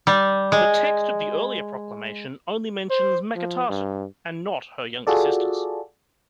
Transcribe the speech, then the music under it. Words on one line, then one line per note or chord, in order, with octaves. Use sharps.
The text of the Earlier Proclamation only mentions Meketaten and not her younger sisters.
G3
G#3
C5
F3
G2
F4 F#4 G#4 A4 D5